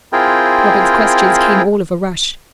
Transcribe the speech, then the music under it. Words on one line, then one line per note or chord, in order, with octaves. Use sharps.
Robin's questions came all of a rush.
C4 E4 F4 G#4 A#4 G5